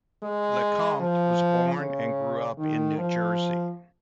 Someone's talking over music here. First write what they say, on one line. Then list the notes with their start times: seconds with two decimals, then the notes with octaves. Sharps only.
LeCompte was born and grew up in New Jersey.
0.23 G#3
1.01 F3
1.79 C#3
2.58 D#3
2.98 F3